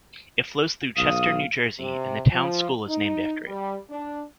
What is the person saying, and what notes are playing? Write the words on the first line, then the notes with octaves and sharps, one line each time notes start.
It flows through Chester, New Jersey and the town school is named after it.
B1 F5 D#6
C3
F3
D#4
G3
D4